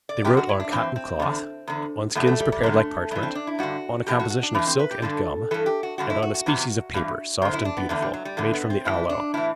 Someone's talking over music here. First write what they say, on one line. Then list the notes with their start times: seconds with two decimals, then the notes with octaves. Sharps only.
They wrote on cotton-cloth, on skins prepared like parchment, on a composition of silk and gum, and on a species of paper, soft and beautiful, made from the aloe.
0.09 D5
0.25 F#2 D3 G4
0.37 F#4
0.49 E4
0.60 D4
0.72 G2 E3 C4
0.96 C4
1.20 E2 D3
1.67 E2 D3
2.15 E2 B2 A3
2.27 A3
2.40 G3
2.52 G3
2.63 F#2 D3 A3
3.11 G2 E3 A3
3.23 C4
3.35 D4
3.47 E4
3.59 G2 D3 F#4
4.07 A2 E3 G4
4.19 F#4
4.30 F#4
4.43 D4
4.55 E3 B3
4.59 A2
4.67 C4
4.79 B4
4.91 G4
5.02 G2 D3 A4
5.51 G2 E3 A4
5.66 G4
5.83 F#4
5.98 G2 D3 F#4
6.10 E4
6.22 F#4
6.34 F#4
6.46 E2 C3 E3
6.94 G2 E3
7.42 F#2 D3 C5
7.53 E4
7.65 D4
7.77 B3
7.89 E2 D3 A3
8.02 G3
8.13 F#3
8.25 G3
8.37 E2 D3 A3
8.54 B3
8.70 C4
8.85 A2 E3 E4
9.09 D4
9.34 A2 E3 E4